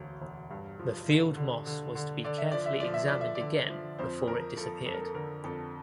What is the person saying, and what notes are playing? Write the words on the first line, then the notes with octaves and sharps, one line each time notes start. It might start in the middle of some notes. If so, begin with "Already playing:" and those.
The field moss was to be carefully examined again before it disappeared.
Already playing: E1 D2
E1
G2
F3
D3
D3
D3
D3
D3 D5
E5
F3 D5
E5
F3 D5
E5
F3 D5
E5
D5
D3
F3
F2 C5
F3 A#4
F3 A4
F2 A4
A#4
A4
D3 A#4
F2 A4